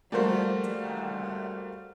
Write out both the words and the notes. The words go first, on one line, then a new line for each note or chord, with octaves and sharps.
And, uh,
G3 A3 A#3 F#4 A#4 C5